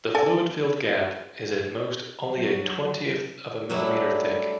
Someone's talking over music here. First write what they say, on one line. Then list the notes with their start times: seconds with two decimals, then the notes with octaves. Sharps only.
The fluid-filled gap is at most only a twentieth of a millimetre thick.
0.15 A4 D5 G#5
2.31 F#3
3.70 F#3 G3 A3 D4 E4